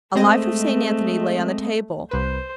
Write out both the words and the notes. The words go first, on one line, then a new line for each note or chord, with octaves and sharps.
A life of St. Anthony lay on the table.
G#3 A3 C4 D#5
C2 B4 C5